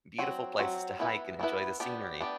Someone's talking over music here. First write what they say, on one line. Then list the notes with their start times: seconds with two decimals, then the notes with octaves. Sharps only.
beautiful places to hike and enjoy the scenery,
0.18 F#3 C4 F#4
0.59 F#3 C4 F#4
0.99 E3 B3 E4 B4
1.39 E3 B3 E4 B4
1.80 B3 D4 G4
2.21 B3 D4 G4